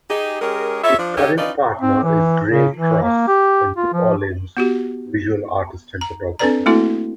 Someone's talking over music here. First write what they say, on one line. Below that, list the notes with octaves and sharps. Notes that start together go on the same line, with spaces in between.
His current partner is Grey Cross, a New Orleans visual artist and photographer.
D#4 G4 G#4
G#3 C#4 G4 G#4 A#4
F4 A4 C#5 E5
F3 D4
D#4 G4 G#4 A#4 C#5 E5
C#4 D#4 F4 B4 D5 D#5
C4
E3
C#3
E3
A#3
G4
F4
F3
B3 F#4 G4
A#5
C4 D4 A4 B4 D5 A#5
A3 A#3 C4 E4 F#4 A4